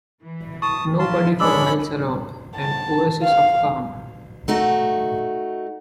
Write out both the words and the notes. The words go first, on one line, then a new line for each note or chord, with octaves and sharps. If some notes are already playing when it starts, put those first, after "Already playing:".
Nobody for miles around - an oasis of calm.
E3
A5 C#6 D#6
F3 E4 F4 A5 C6
G#3 C#4 D4 B5 D6 E6
A5
F5
A3 D#4 F#4